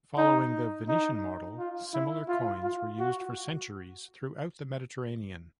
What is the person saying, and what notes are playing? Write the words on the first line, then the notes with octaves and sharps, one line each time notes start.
Following the Venetian model, similar coins were used for centuries throughout the Mediterranean.
D#4
D#4
F4
E4
F4
F4
F#4